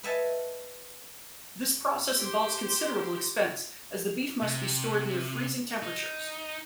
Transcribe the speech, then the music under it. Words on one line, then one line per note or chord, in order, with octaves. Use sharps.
This process involves considerable expense, as the beef must be stored near freezing temperatures.
B4 D#5 E5 F#5 G#5 A5
G4 C5
C3
D#4